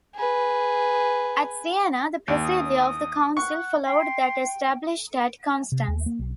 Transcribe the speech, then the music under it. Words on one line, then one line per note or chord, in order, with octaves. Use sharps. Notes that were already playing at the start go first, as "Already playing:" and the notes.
At Siena, the procedure of the Council followed that established at Constance.
G#4 B4
D#2
D#6
F#5 C#6
G5 C6
C3
D#2
A#3
B1